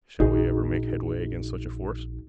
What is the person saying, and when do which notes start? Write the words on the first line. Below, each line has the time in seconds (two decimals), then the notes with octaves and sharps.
Shall we ever make headway against such a force?
0.20 A#1 D#4 F#4 G#4